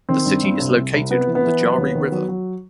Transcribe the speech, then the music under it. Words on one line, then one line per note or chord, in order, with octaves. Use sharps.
The city is located on the Jari River.
D#3 C4
G2
G2
C2
C2
C2
C3 B3
E3
B3
E3
F#3
D#2
D#3
F#3
F#3